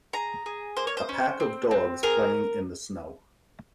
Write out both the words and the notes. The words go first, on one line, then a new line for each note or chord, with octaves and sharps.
A pack of dogs playing in the snow.
G#4 A#5
G#4
A#3 C5
C#5
C5
C#4
C4
C4
G#4 A#4